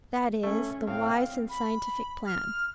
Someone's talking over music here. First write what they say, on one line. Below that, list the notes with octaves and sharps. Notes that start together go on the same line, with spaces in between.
That is the wise and scientific plan.
A3 C#4
A2 C4 F5
B5
F6